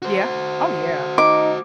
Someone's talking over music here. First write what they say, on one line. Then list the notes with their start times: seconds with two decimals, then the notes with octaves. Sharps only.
Yeah. Oh, yeah.
0.02 F#4 C5
1.18 D#4 D6